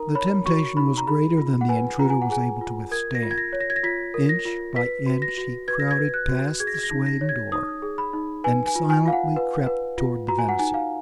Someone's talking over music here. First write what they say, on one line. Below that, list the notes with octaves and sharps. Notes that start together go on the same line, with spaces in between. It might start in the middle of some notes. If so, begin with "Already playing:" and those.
The temptation was greater than the intruder was able to withstand. Inch by inch he crowded past the swaying door, and silently crept toward the venison.
Already playing: D#4 A#4 A#5
C#5 B5
F#4 C#6
D#4 B5
A#5
G#4 B5
F4
F#5
B4 G#5
F4 A#5
G#5
F#5
G#4 G#5
F4
A#4 G#6
A#6
F4
G#6
A#6
C#5
A#6
G#6
A#6
F4 B6
A#4
A#6
F4
B4 B6
F#4
A#6
F#4
B4 G#6
A#6
G#6
B4
F#6
F#4
G#4 G#6
A#6
G#6
A#6
D#4
A#6
C#5
G#6
D#4 D#6
G#4
B5
D#4
B4 G#5
G#5
F4
G#5
F4 F5
F#5
B4
B4
F4
F#4 A#5
G#5
F#5
D#4 G#5
F5